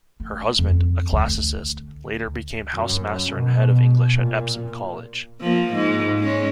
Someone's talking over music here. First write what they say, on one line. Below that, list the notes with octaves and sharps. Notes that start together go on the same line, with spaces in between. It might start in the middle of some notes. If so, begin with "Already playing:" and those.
Her husband, a classicist, later became housemaster and head of English at Epsom College.
A3
F2
D2
F#2
B2
A#2
F3 A#3
G#2
G#3 C#4